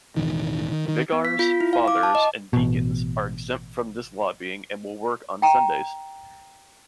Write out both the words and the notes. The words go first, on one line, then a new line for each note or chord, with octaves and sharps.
Vicars, Fathers, and Deacons are exempt from this lobbying and will work on Sundays.
E1 A1 D#3
D#3
D#3
B3
B6
F4
E4
F5
D6
A5
D#5
A1 B2
G5 A#5